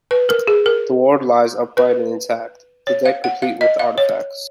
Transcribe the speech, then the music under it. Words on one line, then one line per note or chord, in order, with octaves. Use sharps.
The "Ward" lies upright and intact, the deck replete with artifacts.
B4
A#4
G#4
A#4
B4
C#5
F5
F#5
F5
D#5
F5
C#5